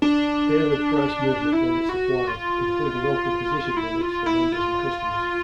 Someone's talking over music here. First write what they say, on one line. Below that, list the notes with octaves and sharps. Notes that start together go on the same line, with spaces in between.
Daily price movement limits apply, including open position limits for members and customers.
D4
E4
F#4
F4
E4
F4
E4
F4